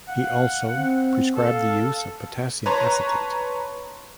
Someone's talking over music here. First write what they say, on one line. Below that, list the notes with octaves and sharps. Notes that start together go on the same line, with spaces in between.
He also prescribed the use of potassium acetate.
F5 F#5
C4
A4 F5
B4 C#5 A5 A#5 C6 C#6